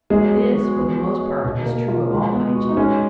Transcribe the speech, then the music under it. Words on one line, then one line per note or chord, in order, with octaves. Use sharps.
This, for the most part, is true of all hygiene.
F#3 G#3 G#4
B3
F#4
B3
F#4
C#5
B2
A#3
F4
G#3
B3
F#4
D#4
G#3 C#4